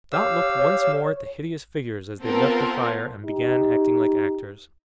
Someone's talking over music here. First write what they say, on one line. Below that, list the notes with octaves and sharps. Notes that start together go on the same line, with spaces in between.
Dot looked once more at the hideous figures as they left the fire and began acting like actors.
G4 C#5 F5 E6
B3 C4 F4 A4 A#4
D#4 G4